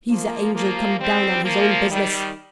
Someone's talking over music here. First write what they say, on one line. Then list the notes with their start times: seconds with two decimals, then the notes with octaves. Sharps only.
He's a angel come down on his own business.
0.10 F3 A#3
0.55 F3 A#3
0.99 G3 C4
1.44 F3 A#3
1.89 D#3 G3